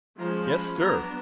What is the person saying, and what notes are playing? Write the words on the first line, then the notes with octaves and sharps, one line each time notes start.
"Yes, sir!"
F3 G#3 C#4 A#5
B5
F#3 B3 D4 A#5